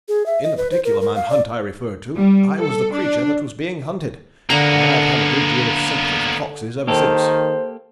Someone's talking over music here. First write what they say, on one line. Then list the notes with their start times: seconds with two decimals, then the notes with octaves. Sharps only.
In the particular man hunt I refer to I was the creature that was being hunted, and I've had a good deal of sympathy for foxes ever since.
0.09 G#4
0.26 E5
0.43 D#5
0.57 B4
0.71 C5
0.85 A#4
1.01 A#4
1.16 F5
1.30 D5
2.17 G3
2.57 A4
2.92 D4
4.50 D3 A#3 B3 F#5 A#5
6.87 D#3 A#3 G4 A4 C5